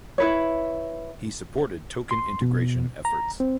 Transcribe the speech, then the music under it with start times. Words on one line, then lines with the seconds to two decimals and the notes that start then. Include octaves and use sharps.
He supported token integration efforts.
0.18 E4 B4 C#5
2.11 C6
2.42 B2
3.05 A#5
3.40 C4